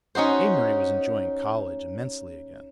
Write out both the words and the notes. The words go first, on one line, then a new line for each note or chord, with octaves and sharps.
Amory was enjoying college immensely again.
C#4 D#4 F#4 C5